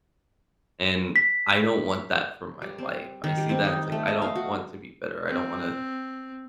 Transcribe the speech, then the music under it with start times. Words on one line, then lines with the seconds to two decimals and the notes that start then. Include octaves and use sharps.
and I don't want that for my life, I see that and it's like, I don't want to be bitter. I don't wanna
1.16 B6
2.62 G3
2.78 C4
3.24 D#3
3.37 G3
3.49 C4
3.65 D#4
3.92 A3
4.08 D#5
4.22 F5
4.35 F#4
5.28 C4